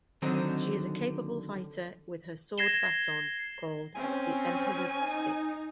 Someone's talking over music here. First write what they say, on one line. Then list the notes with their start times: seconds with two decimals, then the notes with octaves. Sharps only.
She is a capable fighter with her sword baton, called the "Emperor's Stick".
0.22 D3 D#3 F#3 C4 D4 D#4
2.58 G#6 A#6 C7 E7 G7
3.95 C4 C#4 G#5
5.04 D#4